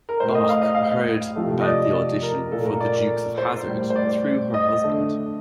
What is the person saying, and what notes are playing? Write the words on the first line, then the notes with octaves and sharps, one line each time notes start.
Bach heard about the audition for "The Dukes of Hazzard" through her husband.
A#4
A2 A3 C5
D#5
F5
D#5
F5
C3 F3 A3
D#5
D5
A#4
A#2 A3 A4
A#4
D5
C5
A2 G3
C5
D5
D#5
D3 A3